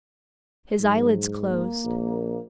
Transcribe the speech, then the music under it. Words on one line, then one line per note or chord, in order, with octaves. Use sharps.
His eyelids closed.
G#2 F#3
A#3
A#1